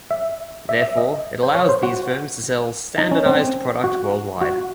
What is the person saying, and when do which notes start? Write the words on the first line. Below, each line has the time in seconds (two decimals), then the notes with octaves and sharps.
Therefore, it allows these firms to sell a standardized product worldwide.
0.11 E5
0.69 E5
0.82 E5
0.98 D#5
1.43 C5
1.55 C#5
1.69 C5
1.83 F#4
2.98 D#4
3.11 C#4
3.26 C4
3.84 F#4
4.41 F#4